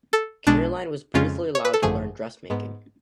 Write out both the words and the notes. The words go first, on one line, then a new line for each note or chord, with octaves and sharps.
Caroline was briefly allowed to learn dress-making.
A4
B1 B2 G#3 D4
F2 C#3 G#3 C#4 F4
C#5
B4
A4
G#1 F#2 D3 F3 A3 G#4
G#2 G#3 B3